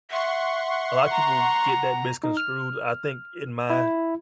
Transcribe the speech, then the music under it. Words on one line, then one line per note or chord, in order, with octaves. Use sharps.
a lot of people get that misconstrued, I think in my
E5 F#5 C6 C#6
A#5
F#5
D#4
F6
E4